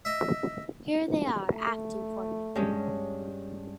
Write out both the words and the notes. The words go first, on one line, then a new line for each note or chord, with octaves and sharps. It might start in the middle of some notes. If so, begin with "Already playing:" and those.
Here they are acting for me.
D#5 E5
A3
G2 G#3 C#4